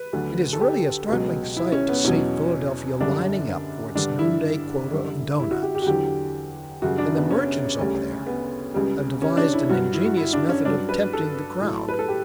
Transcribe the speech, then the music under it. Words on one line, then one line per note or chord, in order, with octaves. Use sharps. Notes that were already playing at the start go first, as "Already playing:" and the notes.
It is really a startling sight to see Philadelphia lining up for its noonday quota of doughnuts, and the merchants over there have devised an ingenious method of tempting the crowd.
Already playing: B4
D2 D3 F#3
A4
G4
C#2 B2 F#3
E4
C#4
B3
E2 B2 F#3 C#4
F#2 D3 G3 D4
G2 D3 G3 D4
E4
F#2 D3 G3
E4
F#4
G4
G4
F#4
E2 D3 F#3 G4
F#2 C#3 G3 F#4
D4
B3
C#4
D2 C#3 G3
B3
C#2 C#3 G3
C#4
D4
E4
G2 F#3 F#4
E4
F#4
E4
D4
C#4
G2 F#3 D4
B4
A4
A2 F#3
B4
A4
G4